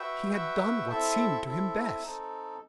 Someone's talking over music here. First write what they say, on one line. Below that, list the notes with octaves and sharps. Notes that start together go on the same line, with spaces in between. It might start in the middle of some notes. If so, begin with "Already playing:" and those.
He had done what seemed to him best.
Already playing: F#4 B4 E5 G5
F#4 B4 E5 G5
C4 E4 A4 E5
C4 E4 A4 E5
C4 D#4 A4